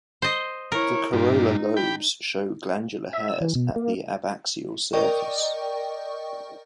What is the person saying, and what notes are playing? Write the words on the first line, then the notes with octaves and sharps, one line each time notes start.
The corolla lobes show glandular hairs at the abaxial surface.
C5 D#5
E4 A#4 C#5
G2 A#2 D#4
G4 G5 B5
E5
E6
E3
B2
A#3
A#4 D5 D#5 G5 C#6